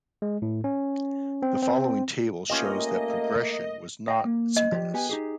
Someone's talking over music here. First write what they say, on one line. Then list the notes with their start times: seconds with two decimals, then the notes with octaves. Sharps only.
The following table shows that progression was not synchronous.
0.22 G#3
0.42 A2
0.64 C#4
1.42 C4
1.63 C4
2.50 A3 A#3 C#4 F4 G4 D#5
4.08 D#5 F5 G5
4.25 A#3
4.57 D#5
4.72 F3 G4 D5
4.94 B3 G4 G#5
5.09 D#4 G4 G#4